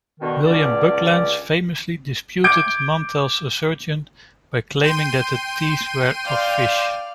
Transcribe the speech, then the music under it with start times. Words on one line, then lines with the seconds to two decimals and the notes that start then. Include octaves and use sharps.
William Buckland famously disputed Mantell's assertion, by claiming that the teeth were of fish.
0.19 B2 D3 D#3
0.47 C#2 D3 C#4 D5
2.44 D6 G6 G#6 D7
4.84 G5 C6 D#7
6.24 D5 F5